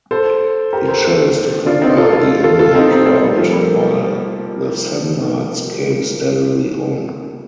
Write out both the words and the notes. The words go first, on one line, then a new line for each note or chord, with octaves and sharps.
He chose to cover the inland route while the Samnites came steadily on.
A4 C5
G4 A#4
A4 C5
A4 C5
D4 F4
C4 D#4
F4 A4
F4 A4
F4 A4
F4 A4
C4 D#4
C4 D#4
A3 C4
G3
F3 A3
G3 A#3